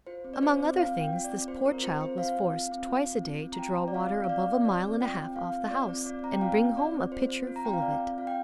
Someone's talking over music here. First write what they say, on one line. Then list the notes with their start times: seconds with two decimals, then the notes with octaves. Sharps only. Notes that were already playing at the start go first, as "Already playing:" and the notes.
Among other things, this poor child was forced twice a day to draw water above a mile and a half off the house, and bring home a pitcher full of it.
0.07 F4 C5
0.24 C4
0.34 D5
0.42 F4 C5
0.60 C4
0.77 F4 F5
0.95 C4
1.01 G5
1.13 F4
1.24 D5
1.30 C4
1.48 F4 C5
1.65 C4 A#4
1.83 F4 C5
2.01 C4 C5
2.18 F4 F5
2.37 C4
2.54 F4
2.71 C4
2.89 F4
3.06 C4
3.24 F4
3.42 C4
3.53 A#5
3.59 F4 G5
3.76 C4
3.88 D5
3.94 F4 F5
4.12 C4
4.24 F5
4.29 F4 D5
4.48 C4
4.65 F4 D5
4.83 C4
5.01 F4 G5
5.18 C4
5.35 F4 F5
5.53 C4
5.70 F4 D5
5.89 C4
6.06 F4 D5
6.23 C4 A#5
6.33 G5
6.41 F4 F5
6.59 C4
6.77 F4 D5
6.94 C4
7.12 F4 C5
7.29 C4
7.47 F4
7.56 A#5
7.65 C4 G5
7.74 F5
7.82 F4 D5
8.00 C4
8.18 F4 F5
8.27 G5